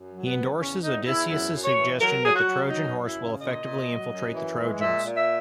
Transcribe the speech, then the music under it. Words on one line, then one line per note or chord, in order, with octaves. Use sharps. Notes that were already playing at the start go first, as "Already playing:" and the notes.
He endorses Odysseus' suggestion that the Trojan Horse will effectively infiltrate the Trojans.
Already playing: F#2
F#3
B3
C#3
E2 C#4
E2 D#4
E2 E4
F#2 E4
F#2
C#5
E3
F#3 A#4
F#3 G#4
F#4
F#3
F#2 D#4
F#2
E4
C#3
A#2 D#5
A#2
F#3
F#2
E3
G#3
A#2 E5
A#2
E5